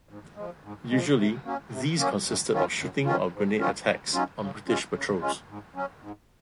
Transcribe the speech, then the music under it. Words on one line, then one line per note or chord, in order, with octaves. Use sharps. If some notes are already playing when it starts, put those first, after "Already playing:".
Usually, these consisted of shooting or grenade attacks on British patrols.
G#2
F3 G#3
G#2
F3 G#3
C3
F#3 A#3 C#4
C3
F#3 A#3 C#4
F#2
D#3 F#3 C#4 F4
F#2
D#3 F#3 C#4 F4
G#2
D#3 F#3 C#4 F4
G#2
D#3 F#3 C#4 F4
C#3
G#3 C#4 F4
C#3
G#3 C#4 F4
G#2
F#3 C#4
G#2